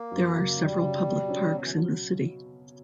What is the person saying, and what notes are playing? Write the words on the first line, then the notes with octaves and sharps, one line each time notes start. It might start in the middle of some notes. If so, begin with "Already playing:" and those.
There are several public parks in the city.
Already playing: A#3
F#2
C#3 F#3
F#2 G3
C#3 F#3
B2
F#3 C#4
B2 F#3
E3
D3
F#3